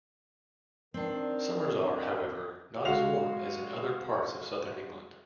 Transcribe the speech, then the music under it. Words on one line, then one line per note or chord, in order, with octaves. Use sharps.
Summers are, however, not as warm as in other parts of southern England.
D#3 C4 D4
G#3 F#4 F5 F7